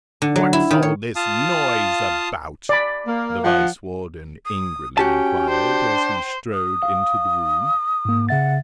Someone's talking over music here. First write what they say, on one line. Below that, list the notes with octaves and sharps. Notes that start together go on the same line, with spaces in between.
"What's all this noise about?" the Vice-warden angrily enquired, as he strode into the room.
D3
F#3
E4
D#3
C#5
F4 F5 A5 D#6
D5 B5
A#3
F3 F#5
D#6
C#4 F#4 G4 G5 A5
D4 C5
D#6
F5
G#2 A#3
C#3 E5 F#5 A6